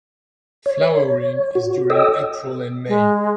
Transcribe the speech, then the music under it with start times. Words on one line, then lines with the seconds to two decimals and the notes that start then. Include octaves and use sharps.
Flowering is during April and May.
0.66 C#5
1.55 F#4
1.90 A4 C#5 D#5 G5 D#6 E6
2.88 G#3